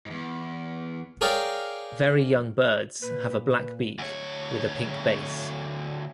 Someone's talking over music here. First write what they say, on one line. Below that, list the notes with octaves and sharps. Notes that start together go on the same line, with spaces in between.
Very young birds have a black beak with a pink base.
E2 G#2
G#4 A#4 C#5 D5 F5 G5
A#2 B4
B4
D2 C#5